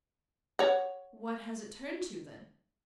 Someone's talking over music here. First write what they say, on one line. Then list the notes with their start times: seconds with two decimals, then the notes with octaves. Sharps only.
"What has it turned to, then?"
0.59 C#5 F#5